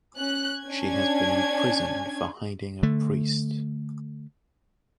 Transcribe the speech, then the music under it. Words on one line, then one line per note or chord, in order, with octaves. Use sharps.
She had been imprisoned for hiding a priest.
C#4 F#6
C#4 D4 G#5 G#6
D3 A3